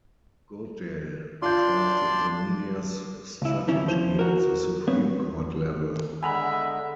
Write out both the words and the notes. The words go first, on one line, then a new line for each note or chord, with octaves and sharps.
Goodale crafted the media's strategy at the Supreme Court level.
D4 F4 D5 C6 G6
C#2 E4
D#3 E3 C#4 E4
F3 C5
F#4 A#4
B3 C4 B4 C#5
D3 G#3 B3 E5 G#5 A#5 B5